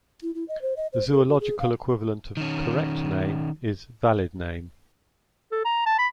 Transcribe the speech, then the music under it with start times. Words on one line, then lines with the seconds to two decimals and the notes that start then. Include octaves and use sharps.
The zoological equivalent of "correct name" is "valid name".
0.22 E4
0.35 E4
0.48 D#5
0.62 C5
0.76 D#5
0.93 C5
1.10 A4
1.28 F#4
1.40 G#4
1.59 F5
2.37 D#3 C#4
5.52 A4
5.65 A#5
5.86 A5
5.99 B5